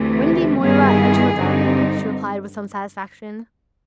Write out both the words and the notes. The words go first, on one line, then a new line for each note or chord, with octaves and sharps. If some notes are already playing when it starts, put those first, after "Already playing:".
"Wendy Moira Angela Darling," she replied with some satisfaction.
Already playing: D2 C3 E3 A3
G2 D#3 G3 B3 E4 G#4
G2 D3 G3 C4 D#4